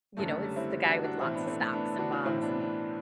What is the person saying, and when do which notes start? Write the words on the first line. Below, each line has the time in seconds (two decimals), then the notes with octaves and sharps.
you know, it's the guy with lots of stocks and bonds and
0.17 F#1 F#2 D3 A3
0.31 A3
0.44 G3
0.56 C4 E4
0.86 D4 F#4
1.04 D4 F#4
1.21 B1 A2 E3 C4 E4
1.33 B3 D4
1.47 A3 C4
1.60 A3
1.73 B3 D4
1.98 D4 F#4
2.12 D4 F#4
2.25 B1 A2 E3 C4 E4
2.42 B3 D4
2.60 B3 D4